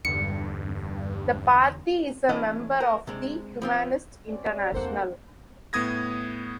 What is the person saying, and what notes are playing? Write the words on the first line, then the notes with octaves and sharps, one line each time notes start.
The party is a member of the Humanist International.
E2 G2 D3 C#7
E3 A3 C#4 D4 E4 D#5
A#4
C3 G#3 D4
F3 C4 F4
C4 C#4 D5
E2 D3 G3 A#3 C4 A4 C5 F#5
A2 B3 D#6 G#6 A#6